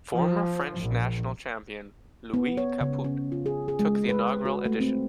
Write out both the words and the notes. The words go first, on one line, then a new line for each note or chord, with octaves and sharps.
Former French national champion Louis Caput took the inaugural edition.
F3
A#1
B3
C#5
C#3
C#4
F4
G#4
G#4
G#3
B4
F#4
A3
C4